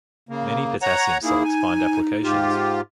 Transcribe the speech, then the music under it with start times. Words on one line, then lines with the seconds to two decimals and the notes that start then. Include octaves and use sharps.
Many potassium salts find applications.
0.29 C#3 A#3
0.82 C#5 F#5 A#5
1.23 A#3 D#4 E4 G#4
1.44 G#5
2.24 G#2 F4 G4